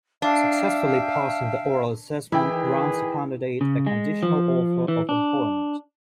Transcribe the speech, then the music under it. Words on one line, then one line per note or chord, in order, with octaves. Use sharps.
Successfully passing the oral assessment grants a candidate a conditional offer of employment.
D4 E5 F5 G5
D#3 E3 E4 G#4 B4 G5
C#3
G#3
F3
E3
D4